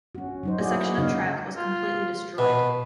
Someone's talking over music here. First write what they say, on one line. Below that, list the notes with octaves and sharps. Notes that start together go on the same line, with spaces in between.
A section of track was completely destroyed.
C#4 F#4
F#3 D#4 C5
E4 F#4 G#4 D5
C#3 D#4 F#4 F5
F4
B2 B4